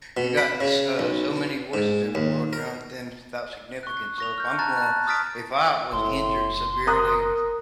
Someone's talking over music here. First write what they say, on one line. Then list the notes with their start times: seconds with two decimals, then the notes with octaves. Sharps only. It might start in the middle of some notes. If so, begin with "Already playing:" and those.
You got s uh, so many voices in the world around and none of them's without significance, so, if I'm going if I was injured severely
0.17 B2
0.37 B5
0.61 C#3
0.99 B1
1.74 G#2
2.15 D#2
2.53 A#4
3.83 C#6 F#6
4.18 C#6 A#6 F7
4.38 F6 G6
4.59 A5 A#5 F#6 A6
4.77 A5 F#6
5.07 D#6 F6 A6 B6 D7
5.92 F#1 A2 C6
6.87 A#4 A#5 D#6 F#6